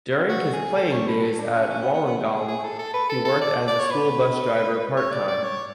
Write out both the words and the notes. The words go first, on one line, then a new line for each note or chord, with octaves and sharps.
During his playing days at Wollongong he worked as a School Bus driver part-time.
F#4
G#4
A4
C#5
B4
A4
D4
C#4
C#4
B3
B3
B3
C#4
G#4
G#4
A4
A4
B4
A4
A4
D5
D5
C#5
B4
C#5
D5
D5
C#5